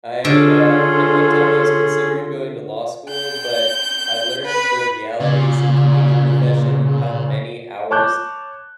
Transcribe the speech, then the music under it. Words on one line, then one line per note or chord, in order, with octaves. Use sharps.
I, uh, at one time, I was considering going to law school, but I learned the realities of the legal profession and how many hours
D3 C#4 F4 G#4 A4
G6
B4
A#2 C#3
C#5 A5 D6 F#6 G6